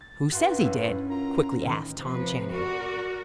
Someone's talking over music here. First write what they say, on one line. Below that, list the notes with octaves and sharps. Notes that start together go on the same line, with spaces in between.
"Who says he did?" quickly asked Tom Channing.
A6
G2 F#4 F#5 C6
C#4 E4 B4
F4 A#4 A#5
A2 D#3 E3 D#4
C3 F3 B4
F#4 A#4 D5